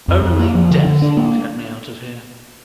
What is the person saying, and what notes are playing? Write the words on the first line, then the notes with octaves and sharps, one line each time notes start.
Only death will get me out of here.
F2
F2
A#3
F3
D3
D3
D4
A#3